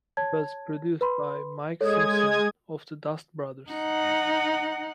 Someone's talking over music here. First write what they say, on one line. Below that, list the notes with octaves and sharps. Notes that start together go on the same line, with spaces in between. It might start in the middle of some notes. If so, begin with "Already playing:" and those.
It was produced by Mike Simpson of the Dust Brothers.
C#5 A5 G#6
B4 B5 C6
G#3 A4 C#5 D#6 G#6
D#4 F#5